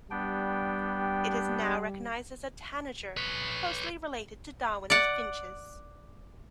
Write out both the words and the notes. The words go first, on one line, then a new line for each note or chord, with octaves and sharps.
It is now recognized as a tanager closely related to Darwins finches.
G3 B3 D4 G5
B4 C#5
D5 F#5